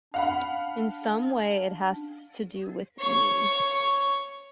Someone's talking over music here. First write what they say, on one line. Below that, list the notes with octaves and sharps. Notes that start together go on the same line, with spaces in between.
In some way it has to do with me.
D4 F5 F#5 B5
C#5 C#6